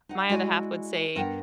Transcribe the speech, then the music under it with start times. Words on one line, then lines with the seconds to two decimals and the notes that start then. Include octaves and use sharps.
my other half would say,
0.09 D#4 F#5
0.30 G#3 E4 F#4 G#4 D5 G#5
1.15 G2 B3 A#4 F#5 G5